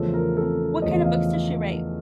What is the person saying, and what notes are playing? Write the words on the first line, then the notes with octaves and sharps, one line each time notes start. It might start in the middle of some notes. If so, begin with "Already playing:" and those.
Wh what kind of books does she write?
Already playing: E2 C#3 F3 A3 A4
A#4
A4
E2 C#3 F3 A3 D#5
F5